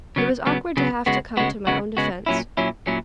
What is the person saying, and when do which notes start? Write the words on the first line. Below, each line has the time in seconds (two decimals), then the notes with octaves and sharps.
It was awkward to have to come to my own defense.
0.16 C#3 F#3 B3
0.46 C#3 F#3 B3
0.77 C#3 F#3 B3
1.06 C#3 G#3 B3 F#4
1.37 C#3 G#3 B3 F#4
1.67 C#3 G#3 B3 F#4
1.97 C#3 G#3 B3 F#4
2.26 A#2 F#3 C#4 E4
2.57 A#2 F#3 C#4 E4
2.87 A#2 F#3 C#4 E4